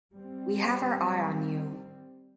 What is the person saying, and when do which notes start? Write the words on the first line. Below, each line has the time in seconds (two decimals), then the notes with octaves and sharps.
We have our eye on you.
0.13 G3 C4